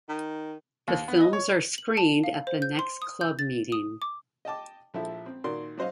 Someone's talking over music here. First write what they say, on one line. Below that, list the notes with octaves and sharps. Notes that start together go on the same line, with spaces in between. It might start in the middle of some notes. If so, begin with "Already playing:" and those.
The films are screened at the next club meeting.
D#3
D#2
B3
D#5
C#5
F#7
A5
F5
C5
G6
C6
D#6
G6
A6
D#6
D6
D#5 G5 A5 D6
A#1 F3 E4 A4 E5
C4
A#2 D#3 F#4 D5 C6
F#3 F#4 C5 D#5 F5